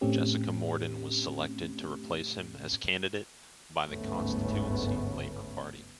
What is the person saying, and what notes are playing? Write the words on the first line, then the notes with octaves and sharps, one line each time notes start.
Jessica Morden was selected to replace him as candidate by the Constituency Labour Party.
A2 A3 C4 C#4 G4
G1 D2 G#2 A3 B3 C#4